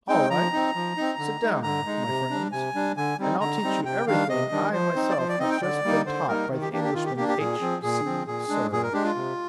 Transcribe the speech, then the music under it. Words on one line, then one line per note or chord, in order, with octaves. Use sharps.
"All right, sit down, my friends, and I'll teach you everything I myself have just been taught by the Englishman H. C. Sirr!"
G#3 C4 D#4 G5
F3 A#5
C4 D#4
F3
C4 D#4
D3
G#3 D#4
D3 A#5
G#3 D#4
C3
G3 D4
C3 G#5
G3 D4
D3 G#5
G3 C4 D#4
D3 A#5
G3 C4 D#4
C3 G5
D#3 G3 D4 F5
C3 D#5
D#3 G3 D4
F3 C5
C4 D#4
D5
F3 C5
D5
C4 D#4 D#5
G5
D3 D5
G3 A#3 D#4
D3 C5
G3 A#3 D#4 A#4
D#3
G4
A#3 D4 G4
G4
D#3 F4
G4
A#3 D4 G4
G4
A#2 G#4
F3 C4
A#2 G#4
F3 C4
A#2 G#4
G#3 D4
A#2 G#4
A#4
G#3 D4 G4
F4
C3